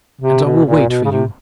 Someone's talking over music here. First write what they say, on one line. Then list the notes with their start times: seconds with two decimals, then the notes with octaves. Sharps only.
And I will wait for you.
0.21 C3
0.45 B2
0.66 A#2
0.88 B2
1.05 C#3
1.11 C3